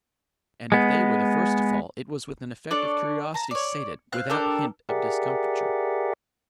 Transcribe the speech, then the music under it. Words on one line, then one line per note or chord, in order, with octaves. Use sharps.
And if they were the first to fall, it was with an effect of curiosity sated, without hint of discomfiture....
G#3 B3
D4 A4 C#5 D5
A5 A#5
C#5 D5
C4 F5 F6 F#6
D4 G4 A4 A#4
G4 G#4 A#4 D5 E5 F#5